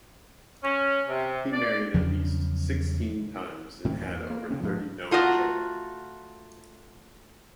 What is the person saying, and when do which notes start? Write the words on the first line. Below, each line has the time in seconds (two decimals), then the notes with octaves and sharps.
He married at least sixteen times and had over thirty known children.
0.64 C#4
1.08 C3
1.53 D5
1.94 E2 C#3 F3 F#3
3.84 G#2 D#3 C4 C#4
3.98 E2 A#3
4.30 A#3
4.50 C#3 C4 C#4
4.63 G#2 F3 G3
5.11 A3 F4 F#4 D#5 A#5